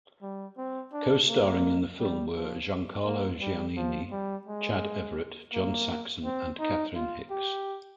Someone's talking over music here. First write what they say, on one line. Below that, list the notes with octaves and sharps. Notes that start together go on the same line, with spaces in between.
Co-starring in the film were Giancarlo Giannini, Chad Everett, John Saxon and Catherine Hicks.
G3
C4
D4
A#3
G3
F3
A#3
G3
F3
G3
G#3
A#3
C4
D#4
F4
G4